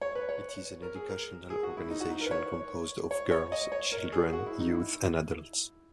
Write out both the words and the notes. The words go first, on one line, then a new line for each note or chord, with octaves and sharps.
It is an educational organization composed of girls, children, youth and adults.
C#5
B4
C#5
A#4
G#4
A#4
G#4
F#4
E4
D#4
F#4
D#4
A#4
B4
C#5
C#5
C#5
D#5
C#5
A#4
G#4
F#4
E4
D#4
E4